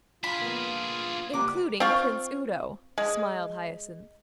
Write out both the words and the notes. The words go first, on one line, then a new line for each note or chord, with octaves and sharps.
"Including Prince Udo," smiled Hyacinth.
D4 F4 G#4 B5
A#3 B3
C#2 G3 A#3 B3 B4 A#5 D6
C4 F4 C#6
G#3